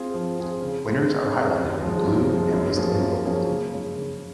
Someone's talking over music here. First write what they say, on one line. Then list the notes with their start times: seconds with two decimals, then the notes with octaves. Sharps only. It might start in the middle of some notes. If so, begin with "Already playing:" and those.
Winners are highlighted in blue and listed in bold.
Already playing: C4 F4 G#4
0.14 F3
0.38 C4 F4 G#4
0.62 C#3
0.86 G#3 C4
1.09 C#3
1.34 G#3 C4
1.58 F#2
1.82 F3 G#3
2.04 F#2
2.29 F3 G#3
2.53 F#2
2.77 F3 A#3 C#4 G#4
3.00 F#2
3.24 F3 A#3 C#4 G#4
3.48 C#3
3.73 G#3 C#4 G#4
3.96 C#3